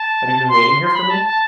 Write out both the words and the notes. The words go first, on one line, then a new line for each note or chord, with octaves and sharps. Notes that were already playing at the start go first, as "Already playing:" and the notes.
Have you been waiting here for me?
Already playing: A5
C6
C6
C6
B5
A5
A5